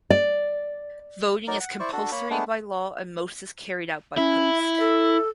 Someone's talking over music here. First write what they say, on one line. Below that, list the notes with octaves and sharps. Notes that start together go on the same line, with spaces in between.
Voting is compulsory by law and most is carried out by post.
D5
F#3 D#4 A#4 D5
F#5
E4 C5 D5 C#6
D4 F#4 A4
A#3 C#5 B5
G#3 A3 B3 D4
C#4 E4
E5
A4